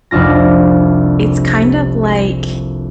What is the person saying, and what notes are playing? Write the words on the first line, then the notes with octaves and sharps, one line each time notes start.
It's kind of like,
F1 C2 D4 F4 A#6